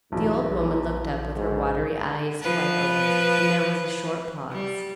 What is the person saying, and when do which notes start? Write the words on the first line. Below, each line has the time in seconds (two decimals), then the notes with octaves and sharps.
The old woman looked up, with her watery eyes wide open, and there was a short pause.
0.12 B1 E2 E3
0.50 A#1
1.36 G#2
2.42 F3 B4
4.51 G3